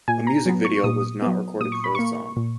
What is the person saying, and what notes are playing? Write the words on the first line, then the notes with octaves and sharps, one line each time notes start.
A music video was not recorded for the song.
A#2 G#5
A#5
F#3 B3
C#6
A#2 D#6
F#3 B3
A#2 D#6
C#6
B5
A#3 C#6
A#2